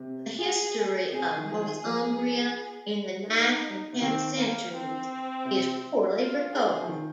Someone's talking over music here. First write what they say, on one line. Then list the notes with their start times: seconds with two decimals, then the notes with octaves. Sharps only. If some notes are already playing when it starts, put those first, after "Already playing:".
The history of Northumbria in the ninth and tenth centuries is poorly recorded.
Already playing: C3
0.40 G#4
1.12 C3 G#4
1.36 D#3
1.48 F3 G#4
1.60 D#3
1.84 F3
3.28 D#4
3.93 C3
4.01 D#3 C4
4.37 A#3
4.73 C4
5.45 C3
6.17 F4
6.53 G#4
6.82 F3
6.89 D#3